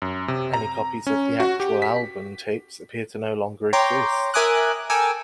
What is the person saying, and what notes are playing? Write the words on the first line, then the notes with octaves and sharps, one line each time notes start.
Any copies of the actual album tapes appear to no longer exist.
F#2
C3
A#5
C#4
F#4
G4
B6
C#5 G5 A#5 C6 D6
A#4 E5 G#5 D6 D#6 F#6
A4 A#4 G5 G#5 D6 E6